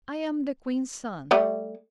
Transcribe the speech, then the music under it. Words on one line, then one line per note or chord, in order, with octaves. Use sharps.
I'm the Queen's son.
G3 A3 D5